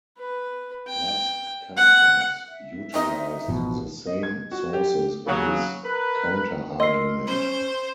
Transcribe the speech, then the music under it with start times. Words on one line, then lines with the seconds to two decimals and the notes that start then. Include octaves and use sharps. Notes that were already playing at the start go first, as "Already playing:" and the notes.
Las Casas utilized the same sources in his counterargument.
0.18 B4
0.88 G5
1.77 F#5
2.48 E5
2.94 C4 D#4 A#4 D#5
3.48 A1 B2 F3
4.07 D#5
4.23 G#6
4.51 F#4
4.73 G4
5.27 C#3 F#3
5.84 A#4 B4
6.80 A#4 D#5 C6 E6 C7
7.27 C#4 C5